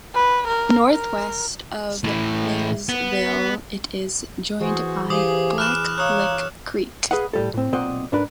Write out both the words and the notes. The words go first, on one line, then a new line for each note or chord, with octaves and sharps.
Northwest of Blairsville it is joined by Blacklick Creek.
B4
A#4
A#4
A2 E3
B3
E3 F#4 G#4 C5
E3 G4 G#4 C5 F5 D6 D#6
B5 F6 F#6 E7
C#5 F5 A#5 D#6 F#6
G#4 B4 D#5 F5 F#5
A2 G3 A4
A2 C4
B1 A#2 C4 D5 D#5 F#5
G#2 D4 A#4 B4